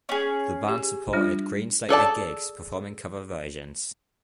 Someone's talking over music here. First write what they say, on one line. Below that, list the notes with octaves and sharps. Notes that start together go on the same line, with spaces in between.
The band supported Greenslade at gigs, performing cover versions.
C#4 G#4
G4
G3 D4 F4
G#4 A4 D5 A5